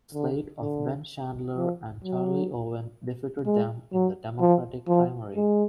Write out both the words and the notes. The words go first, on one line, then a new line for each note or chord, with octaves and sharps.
The slate of Ben Chandler and Charlie Owen defeated them in the Democratic primary.
D3
D3
F3
F#3
G#3
F#3
F3
F3
G#3